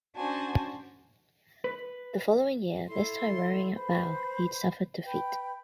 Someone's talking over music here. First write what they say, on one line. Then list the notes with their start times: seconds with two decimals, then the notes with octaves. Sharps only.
The following year, this time rowing at bow, he suffered defeat.
0.16 C#4 D4 F#4 C5 G#5 A5
1.64 B4
2.87 E4 A4 C6
3.74 B4 C5
5.03 B4 G5